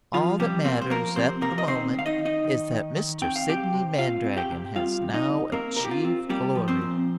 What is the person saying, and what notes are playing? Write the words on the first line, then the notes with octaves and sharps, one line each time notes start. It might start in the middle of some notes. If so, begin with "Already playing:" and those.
All that matters at the moment is that Mr. Sidney Mandragon has now achieved glory.
F3 F4
C3 G3 G4
A#3 C4 C5
C5
F3 A#3 A#4
C3 C4 C5
C3 A#3 A#4
D#5
D#3 C4 C5
D#3
F5
D#4 D#5
D#3
D#4 D#5
D#3
D#3
D#3
C4 G5
F5
C3 G4 G5
C3
C4 F4 F5
C4
G4 G5
C3
G3 F4 F5
C3
D#4 D#5
C3
A#3 C4 A#4
C3 A#4
G4
F4
C4
G3 A#3 G4
F3
C4 C5
A#2